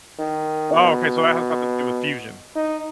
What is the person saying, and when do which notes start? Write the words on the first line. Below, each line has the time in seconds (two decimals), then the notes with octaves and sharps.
Oh, okay, so that has nothing to do with fusion.
0.19 D#3
0.74 B2
2.56 D#4